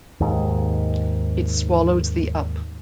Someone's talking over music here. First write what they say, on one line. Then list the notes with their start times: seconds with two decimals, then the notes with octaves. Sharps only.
It swallows thee up.
0.20 D#2 G#2